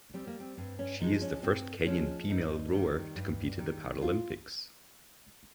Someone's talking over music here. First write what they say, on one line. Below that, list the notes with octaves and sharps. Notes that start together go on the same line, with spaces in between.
She is the first Kenyan female rower to compete at the Paralympics.
G3 C4
A#3
C4
G2 C4
C#4
F3 G#3 D#4
C#4
G2 C4
F3 G#3 C#4
G2 D#4
D#3 G3
G2
D#3 G3
F4